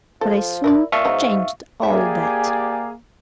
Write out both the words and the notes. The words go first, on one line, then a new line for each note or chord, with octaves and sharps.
But I soon changed all that.
F3 A4
E4 A#4 B4 D5
A#2 E5 F5 A5 C#6
G#2 F#3 B3 D#4
A#3 G4 G#4 D5 E5 G#5